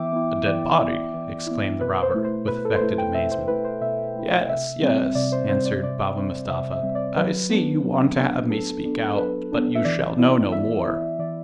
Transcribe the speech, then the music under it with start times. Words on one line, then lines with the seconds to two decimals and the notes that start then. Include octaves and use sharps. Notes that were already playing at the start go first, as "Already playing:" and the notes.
"A dead body!" exclaimed the robber, with affected amazement. "Yes, yes," answered Baba Mustapha; "I see you want to have me speak out, but you shall know no more."
Already playing: E3 B3 E4 E5 G5 D6
0.13 B3 E4
0.46 E3 D5
0.80 B3 E4
1.14 E3
1.47 B3 E4
1.81 B2 B4
2.02 C5
2.14 A3 E4
2.25 C5
2.47 B2 B4
2.65 A4
2.76 C5
2.81 A3 E4 B4
2.98 G5
3.14 B2 E5
3.32 C5
3.47 A3 E4 B4
3.65 C5
3.81 B2 E5
4.16 A3 E4
4.49 C3 E5
4.82 G3 C4
5.15 C3 D5
5.32 C5
5.49 G3 C4 C5
5.65 D5
5.83 C3 D5
6.16 G3 C4
6.49 C3 E5
6.72 E5
6.83 G3 C4
6.95 D5
7.17 F#3 B4
7.50 B3 D4
7.84 F#3
8.18 B3 D4
8.50 F#3 A4
8.85 B3 D4
9.18 F#3 B4
9.52 B3 D4
9.75 E5
9.85 E3 D5
10.19 B3 E4
10.52 E3 E5
10.86 B3 E4
11.19 E3 D5